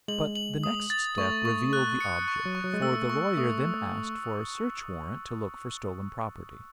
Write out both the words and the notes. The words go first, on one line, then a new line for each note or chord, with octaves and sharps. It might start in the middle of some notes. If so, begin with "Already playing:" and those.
But the next step revealed the object, for the lawyer then asked for a search-warrant to look for stolen property.
G#3 F#7
F#7
D#6
A6
A3 C#6
C#6
F#6
C#7
C#6
F#3
C#6
F#3
G#3
A3 E6
C#6
A3 D#6